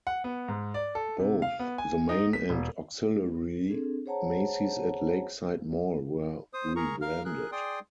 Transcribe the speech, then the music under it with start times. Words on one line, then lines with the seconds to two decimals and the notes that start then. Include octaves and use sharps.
Both the main and auxiliary Macy's at Lakeside Mall were rebranded.
0.07 F#5
0.24 B3
0.48 G#2
0.74 D5
0.95 A4
1.20 C3
1.42 F5
1.59 B3
1.78 G#5
2.09 D#4
2.33 B6
2.50 E1
3.70 C4 D4 G#4 A4
4.06 G#4 C5 C#5 F#5 A5 A#5
6.53 C5 D#6
6.76 G#4 A#4 A#5 C#6
7.01 A#4 F5 F6
7.25 G#4 A#4 F#6
7.52 G#4 D5 G5 C6 D#6